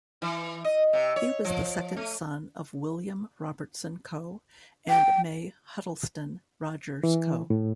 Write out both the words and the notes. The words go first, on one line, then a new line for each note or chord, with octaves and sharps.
He was the second son of William Robertson Coe and Mai Huttleston Rogers Coe.
E3
D#5
C3
C#5
F3
A3
G5
E3
A2